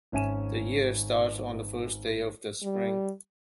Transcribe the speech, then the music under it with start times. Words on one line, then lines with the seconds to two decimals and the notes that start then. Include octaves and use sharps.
The year starts on the first day of spring.
0.12 G#1 C#4 E5 G#5 D#7 E7
2.63 G3